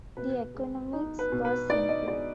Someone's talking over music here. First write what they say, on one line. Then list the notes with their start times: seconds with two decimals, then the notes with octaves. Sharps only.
The economics were simple.
0.17 B2 B4
0.54 G#3
0.93 D#4
1.19 B4
1.32 B2
1.45 B4
1.70 D#4 D5
1.89 D#5
2.08 G#3 D5